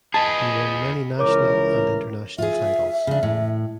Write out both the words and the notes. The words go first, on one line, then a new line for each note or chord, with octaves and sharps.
He won many national and International titles.
G#4 B4 D#5 G#5 A5
C#2 E3 A#4 C#5 D6
F4 G#4 E5
C#3 D4
A2